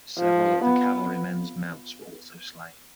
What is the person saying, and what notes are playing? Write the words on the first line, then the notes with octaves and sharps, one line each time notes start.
Several of the Cavalrymen's mounts were also slain.
F3
B3